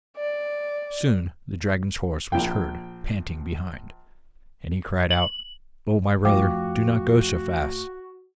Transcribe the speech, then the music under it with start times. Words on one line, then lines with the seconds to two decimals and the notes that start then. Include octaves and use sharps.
Soon the dragon's horse was heard panting behind, and he cried out, 'Oh, my brother, do not go so fast!
0.17 D5
2.32 A#1 G5
5.11 F#7
6.25 F2 F3 A3 F#4 F5 G5 D6